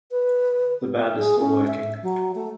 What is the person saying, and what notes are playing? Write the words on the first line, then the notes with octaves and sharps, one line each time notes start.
The band is still working.
B4
E5
G#4
C#4
E5
F#3
A3